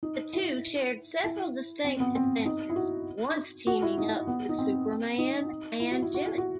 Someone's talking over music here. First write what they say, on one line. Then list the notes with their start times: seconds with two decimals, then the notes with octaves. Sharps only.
The two shared several distinct adventures, once teaming up with Superman and Jimmy.
0.03 D#4
0.33 E4
1.24 E4
1.84 C4
2.00 B3
2.15 C4
2.45 D#4
2.70 E4
2.76 F#4
3.67 F#4
3.82 E4
3.98 D#4
4.27 B3
4.49 D#4
4.58 C4
5.18 D#4
5.80 E4
5.91 F#4
6.02 E4
6.14 F#4
6.26 E4
6.38 F#4